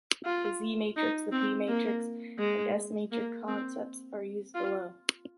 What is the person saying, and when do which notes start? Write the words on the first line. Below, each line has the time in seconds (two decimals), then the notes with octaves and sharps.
The Z-matrix, P-matrix and S-matrix concepts are used below.
0.25 F4
0.96 D#4
1.32 C4
1.68 A#3
2.39 G#3
3.11 A#3
3.47 C4
4.55 F4